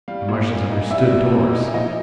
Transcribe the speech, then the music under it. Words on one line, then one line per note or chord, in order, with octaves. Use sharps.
The Martians understood doors!
G3 F5
A#2
A#3
D#4
G3 E5
A#2
A#3
D#4
F3 D#5